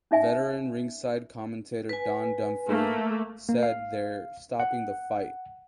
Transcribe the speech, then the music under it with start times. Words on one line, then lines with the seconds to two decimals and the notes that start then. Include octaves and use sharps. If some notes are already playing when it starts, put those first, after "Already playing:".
Veteran ringside commentator Don Dunphy said They're stopping the fight.
0.11 C#4 D#4 E5 G#5
1.89 B4 G#5
2.68 A3 A#3
3.49 A#3
3.63 F5
4.60 F#5